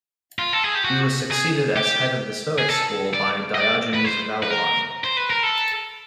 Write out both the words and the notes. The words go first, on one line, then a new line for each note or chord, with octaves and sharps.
He was succeeded as head of the Stoic school by Diogenes of Babylon.
F4
A4
G#4
G4
F#4
G#4
G4
G#4
A4
D5
D#5
D5
B4
C5
B4
A#4
C5
B4
A#4
A4